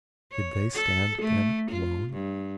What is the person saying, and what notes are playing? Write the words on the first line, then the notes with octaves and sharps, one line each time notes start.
Did they stand then alone?
C#5
A4
A3
F4
G2